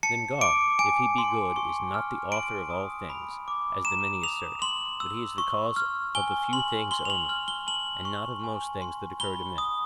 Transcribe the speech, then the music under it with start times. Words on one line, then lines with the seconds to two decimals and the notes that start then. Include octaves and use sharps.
Then God, if he be good, is not the author of all things, as the many assert, but he is the cause of a few things only, and not of most things that occur to men.
0.03 A5 C#7
0.41 D6 D7
0.79 G#5 D7
1.18 C6
1.56 C#6
1.94 F6
2.32 C6 D7
2.70 D#6
3.09 B5
3.48 D6
3.85 A#5 E7
4.23 D#6 F7
4.62 C6 F#7
5.00 E6
5.38 C#6
5.76 F6
6.15 G#5 G7
6.53 C6 F#7
6.91 C6 G7
7.05 F7
7.10 F#7
7.29 F6 F#7
7.48 G7
7.67 A5 F#7
8.05 C#6
8.44 G#5
8.82 C6
9.20 B5 G7
9.58 D#6